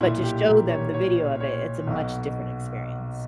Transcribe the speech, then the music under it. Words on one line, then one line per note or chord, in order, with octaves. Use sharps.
but to show them the video of it, it's a much different experience.
B1 A#2 E4
G4
A#4
C#5
C#5
C#5
B1 B2